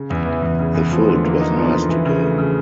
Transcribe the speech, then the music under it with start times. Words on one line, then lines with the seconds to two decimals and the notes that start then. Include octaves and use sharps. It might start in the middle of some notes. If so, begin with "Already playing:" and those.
The food was nice today.
Already playing: C#3
0.10 E2
0.25 E3
0.42 E2
0.59 C#3
0.74 E2
0.91 F3
1.08 D3
1.24 A#3
1.40 D#4
1.57 F3
1.73 D3
1.89 E3
2.06 C#3
2.21 A3
2.38 C#3